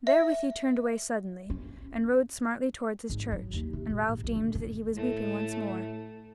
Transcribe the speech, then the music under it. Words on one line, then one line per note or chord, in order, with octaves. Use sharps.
Therewith he turned away suddenly, and rode smartly towards his church; and Ralph deemed that he was weeping once more.
E5
C#4
G#1
F#3
D#2
C3
A#2
G#2
B1
D3
C3
A2 A3